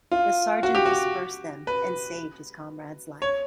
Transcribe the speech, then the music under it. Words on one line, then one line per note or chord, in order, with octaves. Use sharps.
The sergeant dispersed them and saved his comrade's life.
F4
F#4
G4
F#4
B4
C#5